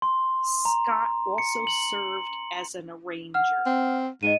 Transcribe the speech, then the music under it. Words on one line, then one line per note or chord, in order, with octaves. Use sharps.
Scott also served as an arranger.
C6
A#5
C#7
F#7
F#5 F6
C4
G#2 D#5 D#7